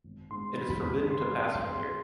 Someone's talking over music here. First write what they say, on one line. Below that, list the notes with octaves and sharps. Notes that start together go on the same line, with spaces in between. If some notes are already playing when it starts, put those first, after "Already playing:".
It is forbidden to pass from here.
G#1
G#2 C6
E3 B5
B5
G#2 B5
G#1 C6
G#1
G#3 C6